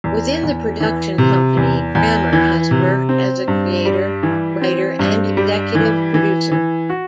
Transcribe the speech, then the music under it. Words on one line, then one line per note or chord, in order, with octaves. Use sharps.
Within the production company, Grammer has worked as a creator, writer, and executive producer.
E2
E2
E3
C3
E2
E2
E3
C3
C4
G2
G3
E3
C4
G2
G3
E3
E3
E3
F#4